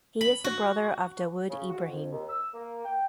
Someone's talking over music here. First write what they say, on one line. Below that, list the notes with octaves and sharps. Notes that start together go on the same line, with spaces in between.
He is the brother of Dawood Ibrahim.
B5
F#4
C#3
F#4
F2
D#2
E6
A#3
G5